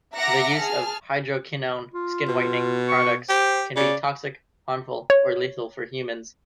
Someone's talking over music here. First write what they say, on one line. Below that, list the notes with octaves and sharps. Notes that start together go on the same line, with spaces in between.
The use of hydroquinone skin-whitening products can be toxic, harmful or lethal for humans.
E5 F#5 A#5 D6 A#6 C#7
G#4 A5 F6
F4
B2
C#6
G4 C5
C#3 D5
C#5